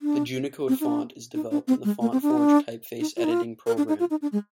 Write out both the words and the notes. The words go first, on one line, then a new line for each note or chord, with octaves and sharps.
The Junicode font is developed in the FontForge typeface editing program.
D4
C4
D#4
D4
D#4
D4
C4
G#3
A#3
C4
D4
D#4
D4
D#4
F4
D#4
F4
A#4
D4
D#4
F4
D#4
D4
G#3